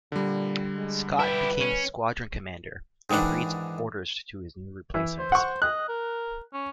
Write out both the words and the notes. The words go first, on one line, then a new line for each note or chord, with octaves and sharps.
Scott becomes squadron commander and reads orders to his new replacements.
A#2 D3 G3
G#3
E4 G4 B4
C#4
G#2 D#3 E3 D4 F#5
E3
C5
F#5 C#6
D#5 F#6
A#4
C#4